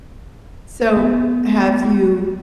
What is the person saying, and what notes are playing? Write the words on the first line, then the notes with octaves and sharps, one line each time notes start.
So, have you
B3